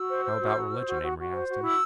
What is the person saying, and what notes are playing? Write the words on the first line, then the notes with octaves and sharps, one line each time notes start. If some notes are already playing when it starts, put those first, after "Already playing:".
"How about religion?" Amory asked him.
Already playing: F#4 E6
C5
C5
F#4
F#4
C5
F#4
F#4
F#4
C5
F#4
E4 E6